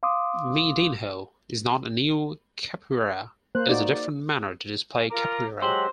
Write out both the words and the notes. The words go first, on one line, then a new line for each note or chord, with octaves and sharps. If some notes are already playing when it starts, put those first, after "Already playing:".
Miudinho is not a new capoeira, it's a different manner to display capoeira.
F5 C6 D6 D#6
A#3 C5 F#6
D#4 F#4 D5
C#5 F5 G#5
F4 A#4 A#5 D6
F#3 G#3 F#4 G4 C5 E6 F#7